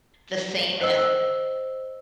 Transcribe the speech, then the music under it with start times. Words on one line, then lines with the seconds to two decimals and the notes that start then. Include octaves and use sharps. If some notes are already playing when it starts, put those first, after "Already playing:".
the same as
0.81 C5 D#5 E6